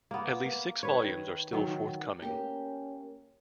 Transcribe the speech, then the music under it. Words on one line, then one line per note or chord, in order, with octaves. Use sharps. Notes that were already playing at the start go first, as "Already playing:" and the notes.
At least six volumes are still forthcoming.
A#3 B3
A#3
B4 C#5
D#3
D#3 F#3
A#3 C#4 G4